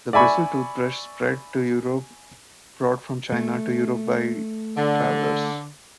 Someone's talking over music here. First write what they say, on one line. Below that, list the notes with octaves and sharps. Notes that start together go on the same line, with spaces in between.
The bristle toothbrush spread to Europe, brought from China to Europe by travellers.
D5 E5 G#5 B5 C#6
A3
D3